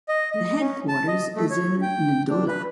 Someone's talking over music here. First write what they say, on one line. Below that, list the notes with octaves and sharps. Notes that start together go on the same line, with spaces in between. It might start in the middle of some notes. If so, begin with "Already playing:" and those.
The headquarters is in Ndola.
D#5
D#5
C#4
A5
D#5
A3
C#5
G5
D4
B4